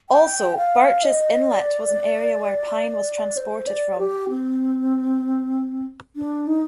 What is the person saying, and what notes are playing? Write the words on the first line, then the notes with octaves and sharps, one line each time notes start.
Also Birch's Inlet was an area where pine was transported from.
G5
F5
D#5
D5
C5
D5
G4
C4
D4
D#4